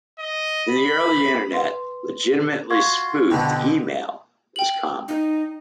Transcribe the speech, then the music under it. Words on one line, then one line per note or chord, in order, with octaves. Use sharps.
In the early Internet, "legitimately spoofed" email was common.
D#5
B5
B4 C6
F4 F#4 F5 C6 C#6 G#6
B2 D3 C4 G4 B4
G5 F#7
D#4